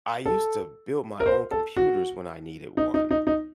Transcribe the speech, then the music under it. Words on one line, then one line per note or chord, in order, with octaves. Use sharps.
I used to build my own computers when I needed one.
A4
A#4
C5
A4
F#4
D#4
D#4
D#4
D#4